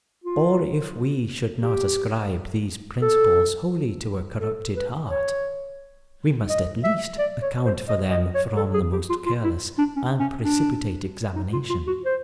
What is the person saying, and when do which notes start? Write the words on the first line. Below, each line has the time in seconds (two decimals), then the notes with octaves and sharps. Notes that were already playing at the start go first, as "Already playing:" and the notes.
Or if we should not ascribe these principles wholly to a corrupted heart, we must at least account for them from the most careless and precipitate examination.
0.24 F4
1.63 G4
3.02 A4
4.41 A4
4.76 B4
5.10 C#5
6.49 D#5
6.84 E5
7.19 D5
7.42 C#5
7.66 C5
7.89 D#5
8.11 D#5
8.35 C#5
8.57 A4
8.74 G#4
8.93 G4
9.09 F4
9.26 F4
9.44 E4
9.79 D4
9.96 C#4
10.20 C#4
10.43 D4
11.36 D#4
11.53 F4
11.70 F4
11.87 F#4
12.06 C5